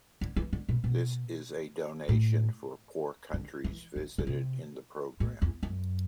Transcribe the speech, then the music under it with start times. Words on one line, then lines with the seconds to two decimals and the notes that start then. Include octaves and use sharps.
This is a donation for poor countries visited in the program.
0.21 D3
0.36 E3
0.53 D3
0.69 B2
0.84 B2
2.09 A2
3.34 D3
3.64 E3
3.96 D3
4.18 D3
4.27 C3
5.20 A2
5.42 E2
5.63 F#2